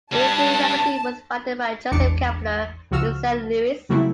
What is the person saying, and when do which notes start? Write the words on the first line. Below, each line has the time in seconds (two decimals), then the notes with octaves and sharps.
The weekly magazine was founded by Joseph Keppler in Saint Louis.
0.12 D4 B4 A5
1.92 A1 E2 G#2 D4 D6 C#7
2.91 C#2 F3 F#4 E6 F6
3.89 C#3 F#3 G3 A3 C4 E4